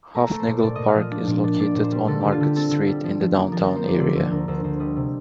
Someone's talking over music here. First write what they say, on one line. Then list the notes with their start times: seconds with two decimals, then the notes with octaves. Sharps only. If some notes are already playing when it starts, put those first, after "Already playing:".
Hufnagle Park is located on Market Street in the downtown area.
0.15 A3 A#5
0.32 A3
0.40 C5
0.47 A#2
0.63 A#2 D5
0.76 A#2 D#5
0.88 F5
0.95 F3 D#5
1.11 D4
1.27 A#2
1.44 D4
1.60 A#2 D5
1.76 A#2
1.84 C5
1.92 G3
2.08 D3 A4
2.20 D3 G4
2.32 F4
2.40 D3 G4
2.56 C4 A4
2.71 D3
2.88 G3
3.04 F3
3.21 F3
3.36 A#3
3.52 F3 A#4
3.64 F3 A#4
3.76 C5
3.84 F3 D5
4.00 D3 D5
4.15 D2 C5
4.32 D2 A#4
4.48 D2 C5
4.64 D2 C5
4.80 G3 D#5
4.96 C3